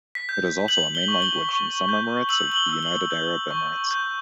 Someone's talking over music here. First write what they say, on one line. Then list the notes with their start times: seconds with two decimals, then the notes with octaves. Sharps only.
It is also a main language in some Emirates of the United Arab Emirates.
0.15 B6
0.29 G6
0.68 G6 F#7
0.95 G7
1.08 C#6
1.22 G7
1.49 C#6
1.89 G6
2.29 E6 F#7
2.52 F#7
2.56 G7
2.70 E6
2.83 F#7
3.10 G6
3.51 C#6
3.91 G6